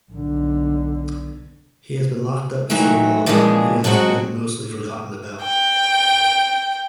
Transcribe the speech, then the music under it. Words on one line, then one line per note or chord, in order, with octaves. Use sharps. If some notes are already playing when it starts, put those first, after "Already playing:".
He has been locked up so long he has been mostly forgotten about.
B1 D3
D#3 E3 F#3 A3
A#2 C#3 E3 F3 G3 G#3
B2 F#3 G#3 C4 F#4
G5